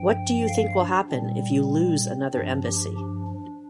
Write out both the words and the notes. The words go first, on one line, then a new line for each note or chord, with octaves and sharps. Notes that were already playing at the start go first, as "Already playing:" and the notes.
What do you think will happen if you lose another embassy?
Already playing: G2 F3 G5
F5
D4
A#2 G3 C4
C4
G2 F3 D4
G4
D4
D4